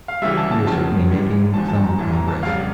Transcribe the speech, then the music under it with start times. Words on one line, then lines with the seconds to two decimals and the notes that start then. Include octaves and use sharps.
We are certainly making some progress.
0.08 F5
0.22 D2 C#3 E3 G3 E5
0.37 A5
0.51 A5
0.66 F1 F2 C#3 F3 A5
1.10 A1 A2 G3
1.54 E1 E2 D3 F3 A5
1.68 A5
1.84 A#5
1.98 A1 A2 E3 G3 A5
2.13 A#5
2.28 A5
2.42 F1 F2 C#3 G3 F5